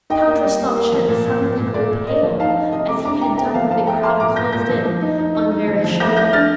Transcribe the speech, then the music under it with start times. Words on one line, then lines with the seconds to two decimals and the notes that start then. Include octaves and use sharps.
Count Rostopchin suddenly grew pale as he had done when the crowd closed in on Vereshchagin.
0.10 D#4 D#5 G5
0.27 A#3
0.43 G3
0.60 A#3
0.75 A#3
0.92 F3
1.08 A#2
1.25 A#2
1.41 A#2
1.58 A#2
1.74 A#2 D5
1.91 A#2
2.07 A#3 D#5
2.23 F3
2.40 D#4 F5 A5
2.56 D#4
2.72 C3 D#5
2.88 C3 A#5 D6
3.05 D4 A#5 D6
3.21 C3 G5 A#5
3.37 A3 G5 A#5
3.54 F3 F5 A5
3.71 F3 F5 A5
3.87 A3 G5 A#5
4.03 A3 A5 C6
4.20 A#2 A#5 D6
4.36 A#2 G6 A#6
4.52 A#2 G6 A#6
4.69 F3
4.85 F3
5.02 D#4
5.18 D#4
5.35 D#4
5.51 D#4
5.67 F3
5.84 F3
6.00 A3 G6 A#6
6.16 A3 G6 A#6
6.33 D4 F6 A6